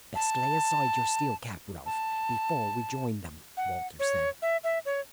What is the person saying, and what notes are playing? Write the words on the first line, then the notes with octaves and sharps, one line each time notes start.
"Best lay aside your steel cap, Ralph, before we join them," Walter said.
A5
A5
F#5
C#5
E5
E5
C#5